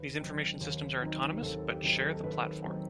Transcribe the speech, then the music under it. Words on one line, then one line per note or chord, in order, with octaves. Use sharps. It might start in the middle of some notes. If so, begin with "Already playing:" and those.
These information systems are autonomous, but share the platform.
Already playing: D#2 B4
D#3 F#3 C4 D#4
D#2
D#3 F#3 C4 D#4
D#2 A4
G4
D#3 F#3 C4 D#4
A4
A4
D#2 B4
D#3 F#3 C4 D#4